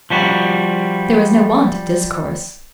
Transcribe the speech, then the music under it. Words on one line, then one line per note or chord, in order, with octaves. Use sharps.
There was no want of discourse.
F3 G3 F#4